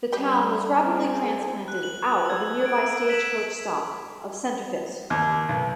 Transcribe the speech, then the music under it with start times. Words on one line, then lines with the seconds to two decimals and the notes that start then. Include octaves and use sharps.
The town was rapidly transplanted out of the nearby stagecoach stop of Senterfitt.
0.12 G3 G4 B4 D5 G5
0.71 C4 G#4 G#5
1.68 F#6
1.83 F#7
2.25 E6 G#6
2.66 D7
3.09 E6 B6 E7 F#7
5.10 D#2
5.49 B1